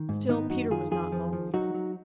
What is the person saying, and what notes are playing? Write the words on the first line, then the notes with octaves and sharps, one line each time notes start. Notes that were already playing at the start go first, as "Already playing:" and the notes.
Still Peter was not lonely.
Already playing: D#3
G#2
D#3 B3 D#4
F#2 D#4 F#4
D#3 F4 G#4
F2 F4 G#4
F3
F3
F#3 D#4 F#4
F#3